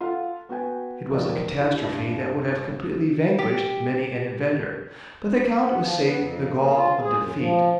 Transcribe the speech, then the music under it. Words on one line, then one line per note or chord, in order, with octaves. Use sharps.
It was a catastrophe that would have completely vanquished many an inventor, but the Count was saved the gall of defeat.
F4 A4 F5 F#5
B3 F#4 B4 G5 G#5
C#2 F#2 F3 D#4 A#4 D5
E4 G4
C2 G2 A#6
G4
B3
F3
B3
F2
A#3
F4
G#4
F#2
F3